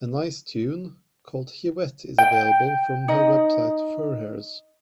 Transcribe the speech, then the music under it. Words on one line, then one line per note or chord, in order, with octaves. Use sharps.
A nice tune, called Hiwet is available from her website feuerherz.
G5
D#4 D#5